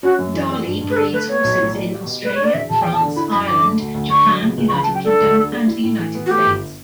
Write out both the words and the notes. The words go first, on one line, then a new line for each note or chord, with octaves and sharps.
Darley breeds horses in Australia, France, Ireland, Japan, United Kingdom and the United States.
C#4 F#4
F#2
E3
G3
G2
G2
B4
D3 A4
A3 B4
B3 C#5
B1
A2
G3
G4
B2
G3 B4
D4 C#5
D5
E1 E5
E1 A5
E2 G5
A5
D3
E4 B5
F#2 B5
D3 D6
A3
D2
D2
D3 C#6
F#3
C#2
C#2
C#6
C#3 B5
A5
F#3
G5
D4 A4
D2
D3
G3
E4
A2
E3
B3
F#4
A3 G4
G1